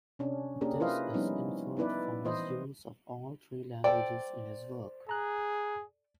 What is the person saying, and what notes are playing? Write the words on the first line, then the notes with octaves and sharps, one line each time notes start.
This is inferred from his use of all three languages in his works.
C3 C#4 D4
A#3 C#4 D4 G4 G#4 A#4
E4 F4 B4 C5 D#5 F5
F3 G3 B3 C#4 D#4 E4
B3 D#4 E4 B4 D5
E3 C5 D#5
A4 C5 D5 G5
G#4 A#5 F#6